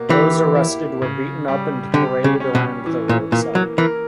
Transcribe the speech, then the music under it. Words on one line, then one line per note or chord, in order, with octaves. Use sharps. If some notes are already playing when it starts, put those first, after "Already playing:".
Those arrested were beaten up and paraded around the roadside.
Already playing: B2 A#3
E3 G4
E4
C#3
G3
D3 G4
C#3
C#4
B2
E3
A#2
A#2 A#3
F#3
E3 A#4